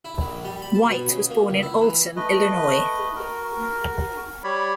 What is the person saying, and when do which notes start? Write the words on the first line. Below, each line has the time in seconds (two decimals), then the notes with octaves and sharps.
White was born in Alton, Illinois.
0.05 E4
0.21 A#1
0.45 G3
0.62 B5
0.75 A5
0.89 B2
1.08 C#3
1.30 A#3
1.50 C#2
1.62 E4
1.82 E3
2.16 A3 B4 D#5
3.16 F#4 A#4
4.44 G3 C#5 D5 B5